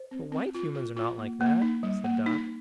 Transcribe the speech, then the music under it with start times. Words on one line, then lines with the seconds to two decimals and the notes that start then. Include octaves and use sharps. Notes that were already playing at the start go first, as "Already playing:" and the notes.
"But white Humans are not like that," said Dot.
Already playing: C5
0.11 C4
0.32 C4
0.55 F4
0.75 F4
0.97 F4
1.18 A#3
1.41 A#3
1.62 D#4
1.83 G3
2.04 A#3
2.26 D#4